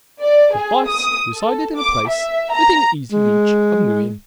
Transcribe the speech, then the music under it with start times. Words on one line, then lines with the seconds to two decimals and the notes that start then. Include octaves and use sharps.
But Weiss resided at a place within easy reach of New Inn.
0.22 D5
0.55 G#4
0.88 D#6
1.34 A4
1.77 D6
2.09 E5
2.54 A#5
3.12 G#3